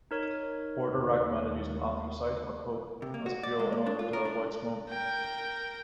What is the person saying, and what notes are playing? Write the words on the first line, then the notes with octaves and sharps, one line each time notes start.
Porter recommended using anthracite or coke as a fuel in order to avoid smoke.
D#4 A#4 C#5
D#2
C3
A#3
F#4
D5
G#3
A#2
D4
F4
A#4
D4
A#4 G5